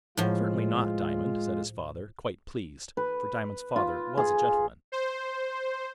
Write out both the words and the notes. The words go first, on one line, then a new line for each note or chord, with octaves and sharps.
"Certainly not, Diamond," said his father, quite pleased, for Diamond's father was a gentleman.
A2 F3 G#3 F4
B4
F4
G#4
C5